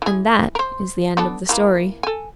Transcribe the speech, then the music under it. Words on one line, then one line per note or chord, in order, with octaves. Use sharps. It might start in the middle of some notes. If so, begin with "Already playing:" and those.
And that is the end of the story.
E3 G#4
A#4 C5
B3 D4 A4
E3 A3 A#3
A4 G#5